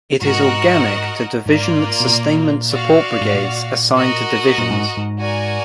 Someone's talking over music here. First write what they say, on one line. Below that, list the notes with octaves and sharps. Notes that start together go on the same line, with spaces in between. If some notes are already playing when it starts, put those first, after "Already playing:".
It is organic to division sustainment support brigades assigned to divisions.
G#2 F#4 A#4 D#5 F#5
G#2 A#3 F4 A#4 D5
B2
A#2
F#4 D5 F5
G#2
A#2
F#4 A#4 D#5 F#5
A#2
G#2
G#2
F#4 A#4 D5 G#5